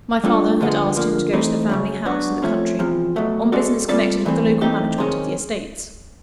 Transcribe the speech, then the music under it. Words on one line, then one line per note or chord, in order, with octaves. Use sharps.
My father had asked him to go to the family house, in the country, on business connected with the local management of the estates.
G3 A#3 D4 F4 A4
F#2 D3 F3 G#3 B3
D3 F3 A#3
E3 A3 C4 D#4
F#2 C#3 F#3
F#3 B3 D4 F#4
C3 F3 A3 C#4
E2 C3 F3
B2 F#3 A3
G#3 C#4 F#4 A4 D5
G3 C4 F4 A4 D5
G2 E3 A3 C4
E3 A3 C4 D#4 G4
C3 D#3 G#3 C#4